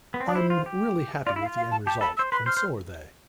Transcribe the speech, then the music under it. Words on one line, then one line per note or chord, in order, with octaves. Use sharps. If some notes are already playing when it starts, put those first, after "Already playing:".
I'm really happy with the end result and so are they.
B3
C4
D4 D5
E4 C5
F4
G4
F4 D5
E4
F5
F4
F5
A5
G4 A5
A4 B5
C5 E6
B4 C6
C5 F6
C5